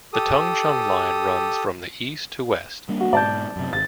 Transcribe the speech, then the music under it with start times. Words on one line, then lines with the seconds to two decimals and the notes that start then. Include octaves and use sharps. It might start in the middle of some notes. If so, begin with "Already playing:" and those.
The Tung Chung Line runs from the east to west.
0.13 G4 A4 D#6
2.89 G3 A#3 D4
3.00 F#4
3.13 G#2 B2 D5 A5 G6
3.56 F#2 C3
3.73 G#1 A6